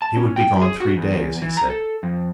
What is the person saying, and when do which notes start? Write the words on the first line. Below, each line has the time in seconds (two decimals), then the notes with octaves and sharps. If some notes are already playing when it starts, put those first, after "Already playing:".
He would be gone three days, he said.
0.02 A5
0.17 C#4
0.36 G5
0.62 G#4
0.80 F#4
0.97 E2
1.42 E3
1.57 A#5
1.70 A4
2.03 F2